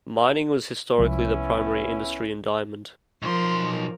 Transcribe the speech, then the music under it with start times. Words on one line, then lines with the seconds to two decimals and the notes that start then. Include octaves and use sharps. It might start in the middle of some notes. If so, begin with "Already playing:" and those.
Mining was historically the primary industry in Diamond.
0.98 C2 F3 G#3 B3 C#4 E4
3.22 B1 F3 A#4 C6